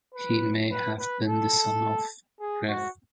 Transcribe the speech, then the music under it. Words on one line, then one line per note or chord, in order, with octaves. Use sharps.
He may have been the son of Rev.
B4
B4
B4
A4
G#4
F#4